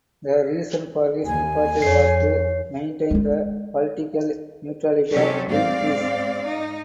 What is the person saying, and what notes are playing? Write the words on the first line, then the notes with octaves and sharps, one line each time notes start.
The reason for his departure was to maintain the political neutrality of Greenpeace.
D#2 G#5
F2 C#5 C7
G#3 F4
C3 F#3 C#4 G4 A4
G#2 C4 D5 F5
D#4